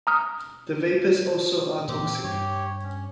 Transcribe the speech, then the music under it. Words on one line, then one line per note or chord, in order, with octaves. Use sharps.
The vapors also are toxic.
A#5 D#6 F6
A#2 E3 A#3 C4 G4
G2 G4 C#5
C#4